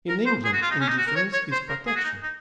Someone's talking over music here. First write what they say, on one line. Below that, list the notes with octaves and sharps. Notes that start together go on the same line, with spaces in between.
In England, indifference is protection.
A#4
C5
G#4
F#4
F4
D#4
C#4
D#4
F#4
A#4
C#5
C#5
C5
A#4
G#4
F#4
D#4
D#4